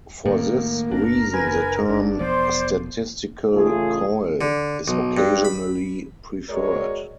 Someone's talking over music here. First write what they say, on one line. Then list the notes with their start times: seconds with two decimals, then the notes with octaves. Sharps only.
For this reason, the term "statistical coil" is occasionally preferred.
0.26 A2 D#3 A#3
0.91 F#1 D4 A#4
1.34 B4 G#5
1.89 G1 D4
2.19 E1 F3 B3 C5 D5
3.55 A1 A2 C#3 A3 F4 G#4
4.41 D3
4.88 B1
5.17 G2
5.45 B5
6.50 G#3 F#4 A#4 C#5 D5